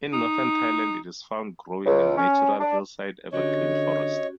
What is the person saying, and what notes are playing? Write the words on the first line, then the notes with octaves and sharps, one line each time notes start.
In Northern Thailand it is found growing in natural hillside evergreen forest.
D#4
C#2
C#4
D4
D3 C#4 F#4 G4 C#5 D#5